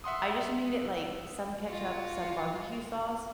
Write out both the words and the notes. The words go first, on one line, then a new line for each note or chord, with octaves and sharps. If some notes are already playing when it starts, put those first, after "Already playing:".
I just made it, like, some ketchup, some barbecue sauce.
E5 F#5 C6 D#6
F4 F#4